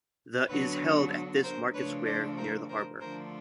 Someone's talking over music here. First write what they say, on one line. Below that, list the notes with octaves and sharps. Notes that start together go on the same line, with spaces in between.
The is held at this market square near the harbour.
D3 F#3 B3 D4 B4 C#5
A#4 C5
C#3 F3 A3 D4 B4 C#5
C5 D5
A#4 C5
A#4 C5
D3 F3 A3 D4 A#4 C5